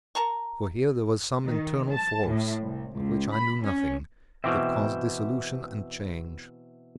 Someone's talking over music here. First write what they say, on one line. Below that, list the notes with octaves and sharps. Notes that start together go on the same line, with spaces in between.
For here there was some internal force, of which I knew nothing, that caused dissolution and change.
A#4 A5 A#5 C#6
D#3
A5
A2
C2
C#2
B5
C#4
B2 E3 C4 E5 G5 D6